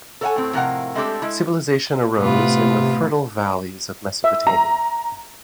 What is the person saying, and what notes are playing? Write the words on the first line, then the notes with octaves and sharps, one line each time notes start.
Civilization arose in the fertile valleys of Mesopotamia.
A4 A#4 C#5 F5 F#5 G#5
A2 C4
F2 A2 C3 A#4 F5 F#5
G#3 A3 C4 D4 G4 A4
G#3 E4
A2 C3 B3 F4
E5
A#5